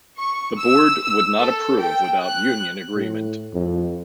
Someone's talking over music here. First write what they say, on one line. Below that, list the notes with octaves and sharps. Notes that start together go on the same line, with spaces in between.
The Board would not approve without union agreement.
C#6
E6
E6
A4
G5
F#6
A2
F2